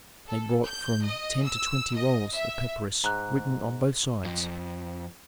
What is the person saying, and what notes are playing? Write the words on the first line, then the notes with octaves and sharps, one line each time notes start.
They brought from ten to twenty rolls of papyrus written on both sides.
A4
G6
D#5
E6
D#5
E5
G#2 A#5 F#6
F2